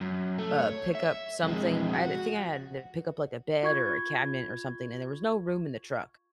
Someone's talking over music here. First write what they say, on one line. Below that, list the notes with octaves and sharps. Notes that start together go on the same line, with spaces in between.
uh, pick up something I had to I think I had to pick up, like, a bed or a cabinet or something, and there was no room in the truck,
F#2
A3
C#5
E5
F2 G#3
F#4
F4 C#6 G#6